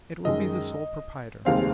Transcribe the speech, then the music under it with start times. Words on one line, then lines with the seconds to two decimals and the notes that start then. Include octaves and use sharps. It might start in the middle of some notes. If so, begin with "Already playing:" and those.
It will be the sole proprietor.
0.25 F#2 D#3 G#3 D#5
1.45 F1 D#2 D#3 G#3 C4 F5